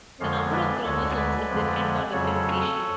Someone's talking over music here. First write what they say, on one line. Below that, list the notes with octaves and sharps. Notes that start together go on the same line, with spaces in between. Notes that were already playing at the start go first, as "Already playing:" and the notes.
The number of chromosomes is different for different species.
F2 D3 F3 G#3 C#5 F5
B4 D5
D2 D3 G#3 A4 C#5
B4 D5
F2 D3 F3 G#3
F2 C#3 F#3 A4 C#5